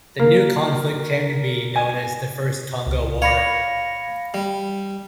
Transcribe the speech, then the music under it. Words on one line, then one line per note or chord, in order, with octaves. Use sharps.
This new conflict came to be known as the First Congo War.
A#3
G#5
C#2
C#5 F5 B5 A#6
G3